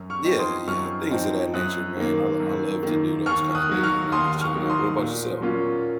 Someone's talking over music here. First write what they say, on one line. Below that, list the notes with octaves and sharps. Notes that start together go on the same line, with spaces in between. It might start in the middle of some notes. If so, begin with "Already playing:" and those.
yeah, yeah, things of that nature, man. l I love to do those kinda things when I'm just chilling out. What about yourself?
Already playing: F#2
C#6 F6
F3 C4 D#4
C6 D#6
F#2 C#6 F6
F3 C4 D#4
F#2 D#6 F#6
D#3 A#3
F#2
D#3 A#3
D#2 C#6 F6
D#6 F#6
D#3 F#3
C#6 F6
D#2 C6 D#6
C#6 F6
D#3 F#3
C6 D#6
A#2
F#3 A#3 C#4 F4